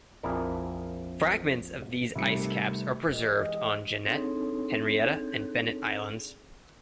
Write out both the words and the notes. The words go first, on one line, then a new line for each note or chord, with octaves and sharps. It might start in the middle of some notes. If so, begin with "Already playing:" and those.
Fragments of these ice caps are preserved on Jeannette, Henrietta, and Bennett Islands.
A#1 F2 E4 G#4 A#4 D5
C3 D#3 G3 A3 C#7
E3 G#3 G4 D#5
C4 D4 D#4 G#4 A4 C#5